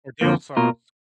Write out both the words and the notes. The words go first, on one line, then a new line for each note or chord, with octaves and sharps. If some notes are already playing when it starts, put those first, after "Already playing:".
or dill sauce.
F2 D3 F3 A#3
B2 A#3 F4 A#4